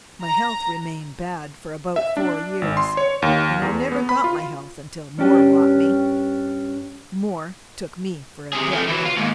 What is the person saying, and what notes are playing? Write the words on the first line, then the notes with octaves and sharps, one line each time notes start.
My health remained bad for about four years, and I never got my health until Moore bought me. Moore took me for a debt.
A#5
E5
D4
G#1
C6
C#5
D#2
E2
B3
B5
F4
G2 C#4 D4 G4
C3 G#4
F3 A3
E3 F#3
F4
D#2 G#2